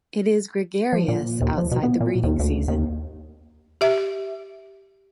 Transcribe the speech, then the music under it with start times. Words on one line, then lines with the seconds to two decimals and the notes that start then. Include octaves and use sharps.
It is gregarious outside the breeding season.
0.93 F3
1.08 A#2
1.42 D#2
1.58 F3
1.71 B2
1.83 B3
2.01 A#2
2.24 D#2
2.39 D2
2.68 D#2
3.81 G4 E5